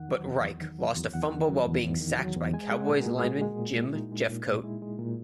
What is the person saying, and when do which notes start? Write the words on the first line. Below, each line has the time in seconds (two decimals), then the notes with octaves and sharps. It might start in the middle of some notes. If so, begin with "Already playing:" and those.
But Reich lost a fumble while being sacked by Cowboys lineman Jim Jeffcoat.
Already playing: E2 D#3 F#5
0.09 F#3
0.26 E2
0.44 E2
0.61 D#3
0.79 F#3
0.96 E2
1.14 E2 F#5
1.31 D#3
1.49 F#3
1.66 E2
1.84 E2
2.01 D#3
2.19 F#3
2.37 E2
2.53 G#3 G#5
2.71 G#3 F#5
2.89 A#2 A#4
3.06 A#2 G#4
3.19 G#4
3.24 G#3 F#4
3.42 G#3
3.59 A#2
3.76 A#2
3.84 E4
3.94 G#3 D#4
4.12 G#3
4.29 A#2
4.47 A#2
4.64 G#3 E4
4.82 G#3
4.99 A#2